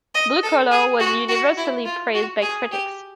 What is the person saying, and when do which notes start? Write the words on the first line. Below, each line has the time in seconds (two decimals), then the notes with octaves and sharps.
"Blue Collar" was universally praised by critics.
0.15 D#5
0.43 A4
0.71 G#4
1.00 F#4
1.29 F#4
1.57 E4
1.85 F4
2.15 F#4
2.42 G#4
2.71 G4